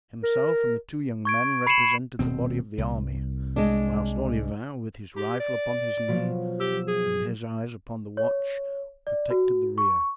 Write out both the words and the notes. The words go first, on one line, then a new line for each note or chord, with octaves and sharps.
Himself and the two young men represented the body of the army, whilst Olivain, with his rifle upon his knee and his eyes upon the watch, protected the rear.
A#4
C#6 G#6 D7
B5 C7 C#7 D#7 E7 F#7
D#1 B2 C4
C2
G#3 D4
G4 A#5
D5
B2 F3 F#3
G4 E6
G#4
C#5
D5
F#4
C#6